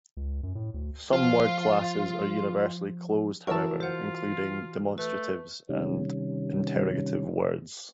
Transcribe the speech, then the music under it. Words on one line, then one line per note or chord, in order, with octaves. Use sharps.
Some word classes are universally closed, however, including demonstratives and interrogative words.
C#2
F#2
A2
D2
F3 F4
E3 F#4 A#4 A5 C#6 E6
F4 C5 F#5
A3 B4
C3 D#3 G3 C#4